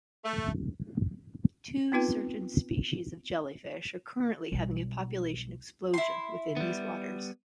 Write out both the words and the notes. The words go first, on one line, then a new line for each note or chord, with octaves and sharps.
Two certain species of jellyfish are currently having a population explosion within these waters.
A3
B3 C4 D#4 F4 B4 G5
B1 G3
E4 C6
G3 B3